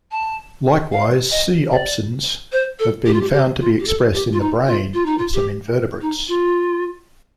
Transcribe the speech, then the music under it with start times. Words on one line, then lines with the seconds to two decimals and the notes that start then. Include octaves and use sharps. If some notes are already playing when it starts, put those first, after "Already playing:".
Likewise, c-opsins have been found to be expressed in the "brain" of some invertebrates.
0.11 A5
0.92 F5
1.31 D#5
1.72 D5
2.52 C5
2.79 A4
3.06 G4
3.14 F4
3.21 G4
3.33 G4
3.60 F4
3.79 G4
3.87 A4
4.14 G4
4.33 F4
4.40 D#4
4.67 F4
4.94 F4
5.06 D#4
5.18 F4
5.34 G4
6.01 D#4
6.28 F4